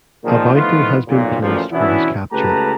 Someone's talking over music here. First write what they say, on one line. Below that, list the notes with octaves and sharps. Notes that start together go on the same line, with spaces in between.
A bounty has been placed for his capture.
A#2 D#3 F3 G#3
E3 F3 A3 B3 D#4 F4
B1 A#2
A1 D2 A#2 F3
B2 E3 B3 C#4 D4 E4
C#2 A3 G4 B4 A5 A#5